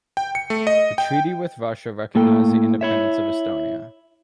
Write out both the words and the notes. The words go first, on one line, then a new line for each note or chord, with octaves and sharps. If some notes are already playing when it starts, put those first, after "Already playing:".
The treaty with Russia recognized the independence of Estonia.
G5
C#7
A3
D#5
G5
A2 A#3 A4 G5
E4 C#5 E5